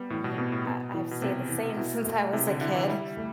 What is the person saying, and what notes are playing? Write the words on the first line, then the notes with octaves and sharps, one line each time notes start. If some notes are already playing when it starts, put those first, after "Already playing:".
mhm, I I've stayed the same since I was a kid,
Already playing: G3 B3
A2 E3
B2
B2 B3
A2
B2 B3
E3
B2
C3 B3
E3
B2 E4
A3
C3 E4
D3
D3 E4
E3
G3 E4
A3